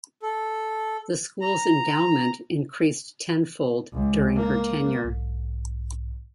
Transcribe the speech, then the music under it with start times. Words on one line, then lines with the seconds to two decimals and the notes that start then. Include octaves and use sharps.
The school's endowment increased tenfold during her tenure.
0.23 A4
1.41 A#5
3.93 C#2
4.36 A#3
5.04 B1 G#2